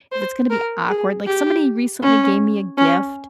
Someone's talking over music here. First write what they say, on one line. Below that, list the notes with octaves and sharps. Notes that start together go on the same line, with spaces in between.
if it's gonna be awkward- like, somebody recently gave me a gift,
C5
A#4
G#4
G4
C#4
C#4